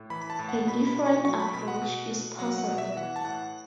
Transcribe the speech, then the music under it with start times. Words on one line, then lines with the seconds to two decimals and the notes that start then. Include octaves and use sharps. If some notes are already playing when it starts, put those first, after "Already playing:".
A different approach is possible.
Already playing: A2
0.10 E3 B5
0.22 B5
0.30 A5
0.39 A2
0.49 F#5
0.67 B2 B5
0.87 B5
0.96 B2
1.06 C#6
1.24 F#3 C#6
1.40 B5
1.54 B2 B5
1.68 F#5
1.82 B2
2.11 B2
2.39 F#3 F#5
2.58 F#5
2.68 B2
2.78 E5
2.96 E3 F#5
3.16 A5
3.25 A2 F#5